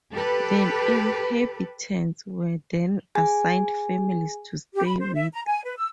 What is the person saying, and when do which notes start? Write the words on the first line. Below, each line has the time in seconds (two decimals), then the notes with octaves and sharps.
The inhabitants were then assigned families to stay with.
0.13 G4 A4 B4
3.15 G#4 G#5
4.74 G4
4.87 B5
5.00 C5
5.14 E5
5.33 A#5
5.46 G#5
5.64 B4
5.78 E6